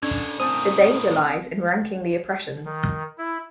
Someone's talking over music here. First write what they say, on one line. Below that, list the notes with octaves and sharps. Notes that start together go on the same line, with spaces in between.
The danger lies in ranking the oppressions.
A2 D3 C#4 D4 G#6
A2 C4 A#4 C5 G#5 A5 D#6
D#3
E4